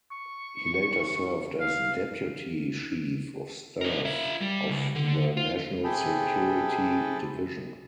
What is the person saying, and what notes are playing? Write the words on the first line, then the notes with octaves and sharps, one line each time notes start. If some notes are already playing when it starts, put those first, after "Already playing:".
He later served as deputy chief of staff of the National Security Division.
C#6
F5
D4 A#4
F4 E5
G3
C#2
D3
F4
C3 G#4 A4 G5 A5 B5